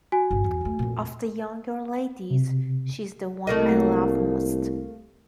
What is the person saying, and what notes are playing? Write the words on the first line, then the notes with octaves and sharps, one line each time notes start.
Of the younger ladies, she's the one I love most.
F#4 G#5
G1 A#2
E2
D#2 A3
F2 A#2
C3
C2 A3 A#3 D#5